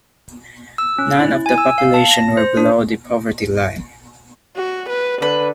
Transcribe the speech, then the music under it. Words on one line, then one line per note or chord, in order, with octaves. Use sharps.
None of the population were below the poverty line.
E6
C#4
E4
G#5
E6
F5
A5
A#6
C5
D4
F#4
B4
D3 B4